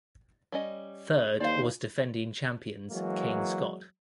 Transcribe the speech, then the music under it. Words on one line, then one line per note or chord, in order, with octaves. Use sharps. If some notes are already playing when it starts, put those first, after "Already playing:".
Third was defending champions Kayne Scott.
G3 C#4 D#5
D#2 C5 D5 F5
E3 F#3 G#3 A#3